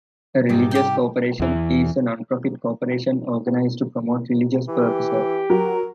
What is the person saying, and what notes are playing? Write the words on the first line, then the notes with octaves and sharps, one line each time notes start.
A religious corporation is a nonprofit corporation organized to promote religious purposes.
G#2 C3 G3
G4 G5
E2 E3
E3 G4
F#3 A#4